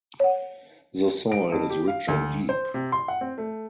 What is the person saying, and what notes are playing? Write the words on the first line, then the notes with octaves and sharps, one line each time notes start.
The soil is rich and deep.
C#5 F#5
D7
F2
G4
F5
D2
C5
C3
C6
F#5
C4
A3